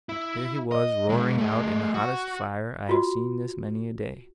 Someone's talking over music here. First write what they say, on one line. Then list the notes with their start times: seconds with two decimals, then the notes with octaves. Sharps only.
There he was roaring out in the hottest fire I have seen this many a day!
0.09 E4
0.72 D#5
1.10 B2 G#3
1.38 A3 G#4
1.94 F#4
2.89 F4 F#4